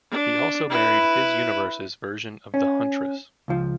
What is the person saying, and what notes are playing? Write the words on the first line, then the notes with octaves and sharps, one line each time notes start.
He also married his universe's version of the Huntress.
D4
E4 B4
C#4
C#2 F3